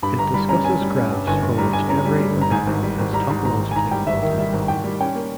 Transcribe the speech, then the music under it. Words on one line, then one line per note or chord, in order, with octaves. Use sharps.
It discusses graphs for which every embedding is topologically knotted or linked.
G2 B5
G1 A#5
G3 B5
C#4 A#5
C#4 G#5
G3
C#4
G2
G1 G#5
G1
G3 A#5
G2 G#5
C#4 A#5
G3
G3
G1
A#5
G#2 G#5
G#1
G3
G#1
G3 A#5
G#2
G#1 A#5
G#1
G#5
G#2 A#5
G3 G5
G#1 E5
D#3 E5
G3 E5
G#1
G#1 G5
G3
C#4 G5
A#3